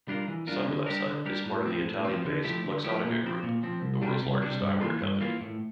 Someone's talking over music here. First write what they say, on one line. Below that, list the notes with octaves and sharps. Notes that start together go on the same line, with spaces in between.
Sunglass Hut is part of the Italian-based Luxottica Group, the world's largest eyewear company.
G3 D4 F4 A#4
E3
G3 D4 F4 A#4
D3
G3 D4 G4 A#4
D3
G3 D4 G4 A#4
A2
F3 C4
A2
F3 C4
D3
F3 A3 E4 G4
D3
F3 A3 E4 G4
A#2
F3 C4
A#2
F3 C4
C2
C3 G3 D4
C2
C3 G3 D4
G2
E3 A#3 F4
G2
E3 A#3 F4
A2